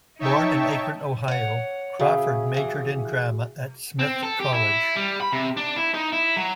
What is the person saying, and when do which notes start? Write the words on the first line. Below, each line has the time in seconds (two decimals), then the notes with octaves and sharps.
Born in Akron, Ohio, Crawford majored in drama at Smith College.
0.19 D#4 C#5 E5 G5 A5 C#6
1.28 C#5 F#5
1.99 C#3 F#4 G#4 E5
2.54 D#2 E3
3.99 C4
4.23 A4
4.40 G4
4.54 E4
4.96 G3
5.21 B5
5.32 C3
5.57 D4
5.77 E4
5.94 D#4
6.12 E4
6.37 F#3